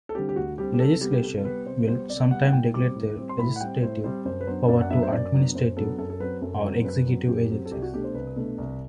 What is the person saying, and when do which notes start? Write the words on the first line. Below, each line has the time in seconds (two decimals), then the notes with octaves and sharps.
Legislatures will sometime delegate their legislative power to administrative or executive agencies.
0.09 A4
0.15 D3 G3 C4 G4
0.29 G4
0.36 D2 F#4
0.58 D3 G3 C4 G4
0.74 G4
0.80 C3 A4
1.01 G3 B3 G4
1.13 G4
1.23 C3 A4
1.44 G3 B3 B4
1.66 C3 C5
1.88 G3 B3 C5
2.09 C3 D5
2.31 G3 B3 F#5
2.48 F#5
2.53 A2 G5
2.74 G3 C4 D6
2.95 A2
3.18 G3 C4
3.29 C6
3.39 A2 B5
3.56 F#5
3.61 G3 C4 G5
3.82 A2 C5
4.04 G3 C4 C5
4.25 F#2 C5
4.41 B4
4.47 F#3 B3 D4 C5
4.68 F#2 D5
4.81 F#5
4.90 F#3 B3 D4 E5
5.03 C5
5.12 F#2 D5
5.34 F#3 B3 D4
5.55 F#2 C5
5.77 F#3 B3 D4 A4
5.98 F#2 A4
6.10 A4
6.20 F#3 C4 B4
6.42 F#2 A4
6.64 F#3 C4
6.79 C5
6.85 F#2 B4
7.07 F#3 C4
7.28 F#2 G4
7.50 F#3 C4
7.66 A4
7.72 C2 G4
7.82 F#4
7.93 B2 A3 D4 G4
8.04 C5
8.15 C2 B4
8.36 B2 A3 D4
8.58 C2